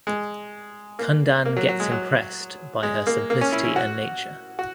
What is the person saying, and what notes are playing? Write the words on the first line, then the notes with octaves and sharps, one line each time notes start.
Kundan gets impressed by her simplicity and nature.
G#3
A#3
A#3
F#3
F#3
G#3
F#3
G#3
A#3
A#3
C#4
E4
E4
F#4
F#4